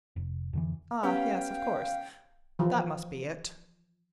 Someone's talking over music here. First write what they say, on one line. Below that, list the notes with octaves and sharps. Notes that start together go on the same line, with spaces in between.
Ah yes, of course, that must be it.
F1
F2 D3 E3
B3 C#4 G4 F5 G5
E3 F3